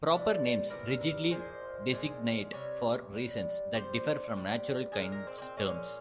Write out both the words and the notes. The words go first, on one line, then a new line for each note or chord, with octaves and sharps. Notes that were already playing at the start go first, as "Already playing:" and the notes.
Proper names rigidly designate for reasons that differ from natural kinds terms.
C3 E3 G3
C3 E3 G3 A#4
A#4
A#2 F3 G#3 C5
A#2 F3 G#3
C3 G3 C#5
C3 G3
C3 G3 C5
C3 G3
G#4
A#2 G#3 A#4
A#4
C4
A#3
C4
A#2 G#3 C#4